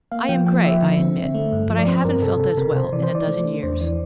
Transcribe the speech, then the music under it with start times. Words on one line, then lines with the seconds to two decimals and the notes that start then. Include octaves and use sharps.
I am gray, I admit, but I haven't felt as well in a dozen years.
0.11 A#3 F5
0.29 F3 G5
0.46 A#3 G5
0.64 F3 E5
0.82 D3
0.99 C4
1.17 D3
1.35 A3
1.52 G2
1.70 F3
1.78 D5
1.87 C4 C5
2.05 G2 A#4
2.22 C3 A4
2.40 C3 A4
2.57 C3 A#4
2.75 C3 C5
2.93 E3 D5
3.03 C5
3.10 E3 D5
3.28 A3
3.46 D4
3.63 E2 C5
3.81 E3 D5